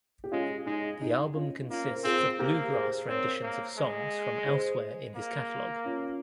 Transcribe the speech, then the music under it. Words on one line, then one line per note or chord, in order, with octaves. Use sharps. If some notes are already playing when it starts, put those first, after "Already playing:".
The album consists of bluegrass renditions of songs from elsewhere in his catalog.
G4
G#3 C#4 F4
G#3 D#4
D#4
C#4 F4
A#3 C#4 F4
C5
A#4
C4 F4 G#4
A#3 G4 A#4
G#4 C5
C4 A#4 C#5
A#3
G#3
G#4 C5
A#3
C#4 F4